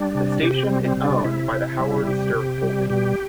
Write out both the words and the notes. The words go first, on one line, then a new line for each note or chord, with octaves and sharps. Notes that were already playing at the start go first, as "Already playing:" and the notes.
The station is owned by the Howard Stirk Holdings.
Already playing: G3 D4
C3
C3 G4
C4
G3
C4
C3
D4
C3 E4
C3
G3
C3 G4
C3
G3
B2 G4